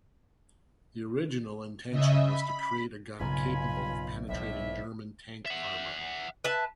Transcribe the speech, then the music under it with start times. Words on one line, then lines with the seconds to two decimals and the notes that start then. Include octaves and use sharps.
The original intention was to create a gun capable of penetrating German tank armour.
1.90 C#3 D#5 E5
2.26 B5
3.20 B1 G2 A#2 C#3 F4 G#5 B5
4.29 F2 A2 E3 G3 E5
5.46 E5 F#5
6.44 B4 E5 A5